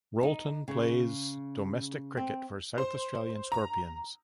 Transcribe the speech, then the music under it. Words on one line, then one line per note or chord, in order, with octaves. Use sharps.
Rolton plays domestic cricket for South Australian Scorpions.
D#4
C#3
C4
C5
A#5